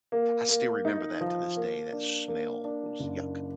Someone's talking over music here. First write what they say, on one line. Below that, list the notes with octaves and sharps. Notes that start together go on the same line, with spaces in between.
I still remember that to this day, that smell was yuck.
A#3
A#3
D#4
F3
A#3
D4
A#3
D4
F#1